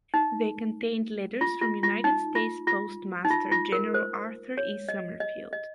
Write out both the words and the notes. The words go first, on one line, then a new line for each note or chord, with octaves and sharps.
They contained letters from United States Postmaster General Arthur E. Summerfield.
D#4
F4
F4
F4
D#4
F4
F4
D#4
F4
F4
A#4
C5
C#5
D#5
D#5
D#5